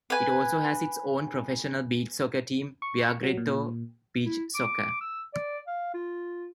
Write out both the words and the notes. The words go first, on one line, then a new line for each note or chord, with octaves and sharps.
It also has its own professional beach soccer team Viareggio Beach Soccer.
B4 G#5
C#6
F#3
A#2
E4
D6
E6
D5
F5
F4